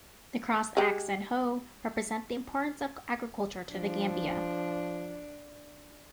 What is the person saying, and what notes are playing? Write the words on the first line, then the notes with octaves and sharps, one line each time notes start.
The crossed axe and hoe represent the importance of agriculture to The Gambia.
G#3 G4
F3 D4